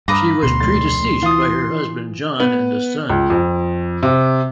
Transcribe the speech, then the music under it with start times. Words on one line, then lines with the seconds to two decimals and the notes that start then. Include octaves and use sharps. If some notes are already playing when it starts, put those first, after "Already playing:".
She was predeceased by her husband John and a son.
0.08 G2 B4 F5 A#5 D6 D#6 A#6
0.43 D2 B2 C6
0.60 F1 A6
1.22 E3 F4 D#6
2.40 B3
3.09 C#2
3.30 F2
4.03 C3